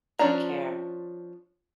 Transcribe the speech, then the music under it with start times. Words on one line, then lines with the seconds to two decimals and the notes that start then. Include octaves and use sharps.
Take care.
0.19 F3 C#4 D4 A#5